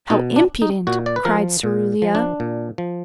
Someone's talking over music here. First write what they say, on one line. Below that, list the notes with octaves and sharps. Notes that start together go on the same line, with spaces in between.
"How impudent!" cried Cerulia.
B2 D#4
D4
D#4
A#2 F#4
D5
B4
F3 A#4
A#2
F3
D4
A#2
F3